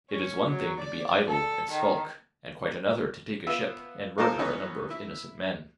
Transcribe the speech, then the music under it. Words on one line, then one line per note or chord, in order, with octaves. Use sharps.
It is one thing to be idle and skulk and quite another to take a ship and murder a number of innocent men.
C#4
F#3
D5
A4
D#3
B3 F4 E5
D#4 F4 A4 A#4 C5
E3 B3 C#4 D#4
E4